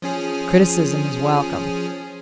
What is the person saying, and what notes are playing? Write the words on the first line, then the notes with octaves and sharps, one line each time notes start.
Criticism is welcome.
F3 C#4 G#4